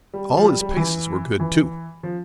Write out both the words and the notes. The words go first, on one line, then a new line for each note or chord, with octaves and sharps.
All his paces were good too.
G3
F3
G3
G3
E3
E3
F3